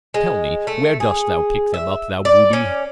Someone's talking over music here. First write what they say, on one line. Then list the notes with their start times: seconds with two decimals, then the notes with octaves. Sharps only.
Tell me, where dost thou pick them up, thou booby?
0.14 G#3
0.67 A3
1.00 G#4
1.74 E5
2.25 D5
2.53 C#4